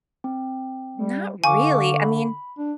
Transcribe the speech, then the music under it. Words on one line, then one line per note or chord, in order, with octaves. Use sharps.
Not really, I mean
C4
G3
D3 F5 G#5 C#6 D6
B5
D4